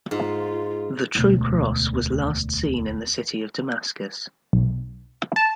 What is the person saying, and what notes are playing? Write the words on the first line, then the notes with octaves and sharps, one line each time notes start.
The True Cross was last seen in the city of Damascus.
G#2 F4
E1 D2
B1
A5